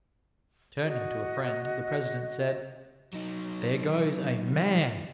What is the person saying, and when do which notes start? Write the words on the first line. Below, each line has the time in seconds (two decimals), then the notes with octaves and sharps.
Turning to a friend, the President said, "There goes a MAN!"
0.83 F#4 D#5
3.13 F#3 D#4